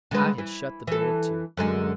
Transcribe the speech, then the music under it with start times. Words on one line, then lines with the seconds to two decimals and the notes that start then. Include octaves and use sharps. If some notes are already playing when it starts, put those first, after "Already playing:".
I had shut the door to.
0.11 D3 G#3 B4
0.38 E3
0.87 E3 A4
1.57 F#2 D3 G#3